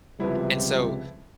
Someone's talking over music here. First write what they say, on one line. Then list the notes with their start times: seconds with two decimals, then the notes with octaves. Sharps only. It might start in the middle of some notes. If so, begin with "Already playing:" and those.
And so,
0.20 C#2 C3 F3 G3 B3 E4